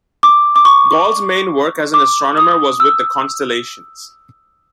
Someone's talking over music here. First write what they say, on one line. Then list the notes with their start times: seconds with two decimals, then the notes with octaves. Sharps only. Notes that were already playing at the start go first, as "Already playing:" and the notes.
Gall's main work as an astronomer was with the constellations.
0.23 D6
0.56 D6
0.65 C#6
1.94 D6
2.37 D#6
2.80 E6